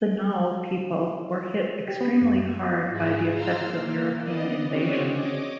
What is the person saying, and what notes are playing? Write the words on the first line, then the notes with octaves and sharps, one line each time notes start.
The Nauo people were hit extremely hard by the effects of European invasion.
G4
B3
F#2
G#2 G#3 E4 G#4
F5 A#5 C6 E6 F6
A#3
B3 D5 D#5
C4 C#4 F#4 G#4 C#5 D5
C#5 D#5 D6